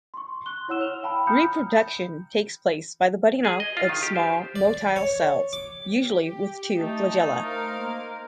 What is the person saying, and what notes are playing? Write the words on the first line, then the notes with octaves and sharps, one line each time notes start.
Reproduction takes place by the budding-off of small motile cells, usually with two flagella.
C6 C#6
C6 C#6 F#6 G7
E4 C#5 F#5 E6 E7 G7
E6 F6 F7
F5 G5 A5 B5
A#5 B5 D#6 F6 G6 C#7
G#4
D#5
F4
D#3
G4
C5
D5
C#5
D6
G4
A3 D#4 A5
A#4 C5 F5
A#3